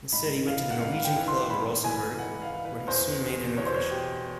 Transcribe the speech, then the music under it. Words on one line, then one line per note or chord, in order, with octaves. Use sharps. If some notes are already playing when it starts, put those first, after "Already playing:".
Instead, he went to the Norwegian club Rosenborg, where he soon made an impression.
G#2 B5
E3 F5
F#5
G#2 F5
G5
E3
C6
G#2 B5
E3 G#5
G#2 F#5
F5
E3
B4
E2 C5
B2
E2 C#5
C5
C#5
B2 G4